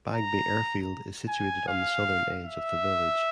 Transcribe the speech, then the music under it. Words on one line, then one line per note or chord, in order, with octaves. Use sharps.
Bagby Airfield is situated on the southern edge of the village.
A#5
G#5
F5
E5